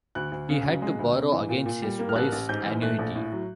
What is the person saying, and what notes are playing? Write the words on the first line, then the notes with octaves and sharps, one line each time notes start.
He had to borrow against his wife's annuity.
D2 F#6
D2
C#3
F#3
G#3
D2
C3
E3
A#2
A#2
G3
A#3
F6
A1 F#6
A1
G#2 G6
E3
A3 F#6
A#1
A2
F#3